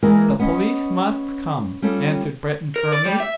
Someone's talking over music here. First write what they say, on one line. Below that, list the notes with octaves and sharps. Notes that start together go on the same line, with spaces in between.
"The police must come," answered Breton firmly.
E3 G#3 A#3 G#4 A#4 B4
B3 C#4 D#5
G3 C#4 F4 G4 A4
A#4
D5
G3
E5